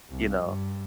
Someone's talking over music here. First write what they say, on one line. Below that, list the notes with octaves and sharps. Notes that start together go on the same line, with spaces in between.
you know?
C2
G2